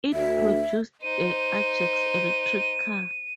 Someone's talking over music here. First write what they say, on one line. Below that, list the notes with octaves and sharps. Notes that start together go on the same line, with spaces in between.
It produced the Ajax Electric car.
D2 E5
D#4 C5 D#7